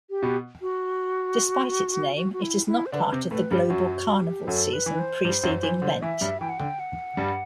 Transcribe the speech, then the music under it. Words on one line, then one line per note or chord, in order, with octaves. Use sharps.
Despite its name, it is not part of the global Carnival season preceding Lent.
G4
B2 B3
F#4
F#4
F#4
E4
E4
C5
D3 D4 B4
C3 C4
A2 A3 B4
G2 G3 G4
F#2 F#3 F#4
F#4
G4
F#2 F#3 A4
B4
E3
B4
C5
G2 G3
F#2 F#3
E3
D3
E3 E5
G2 G3
E3 G5
F#5
D3 G5
F#5
G2 G3